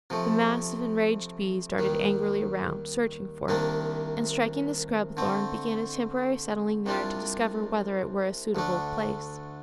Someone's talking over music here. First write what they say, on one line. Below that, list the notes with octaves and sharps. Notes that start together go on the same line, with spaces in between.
The mass of enraged bees darted angrily around, searching for it, and striking the scrub-thorn, began a temporary settling there to discover whether it were a suitable place.
C3 F3 A3
D#2 D#3 G3
C2 C3 D#3 A#3 D4
D3 A3 C4
C2 C3 G3 D4 F4
D2 D3 A3 D4